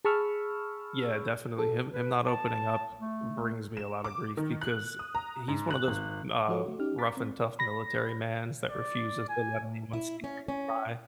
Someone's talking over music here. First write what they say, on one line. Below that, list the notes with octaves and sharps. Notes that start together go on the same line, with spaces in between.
Yeah, definitely, him him not opening up brings me a lotta grief because he's one of those, uh, rough and tough military mans that refuses to let anyone see him cry.
G#4 A5 B5 C#6 E6 F6
A4
B4
A5
A3
E7
D6
D#3
F#6
D#6
A#5
G#2
F#6
G#1
F3 F4 F#4 A4 C#5 D#5
A3 F#4
C#4 D#4 G4 F6
A#5 D6 A6 B6
C4
B5 A#6
D5
G#5
E4
C#4
C#4